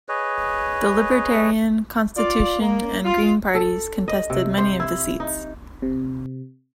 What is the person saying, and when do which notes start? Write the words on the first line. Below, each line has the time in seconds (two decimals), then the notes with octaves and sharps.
The Libertarian, Constitution, and Green parties contested many of the seats.
0.09 G#4 B4 C#5 D#5
2.16 F4 D5
2.60 A#3
3.04 F4
3.55 A4
4.08 D#5
4.30 C3
4.58 C5
4.80 E4
5.20 D#4
5.82 C3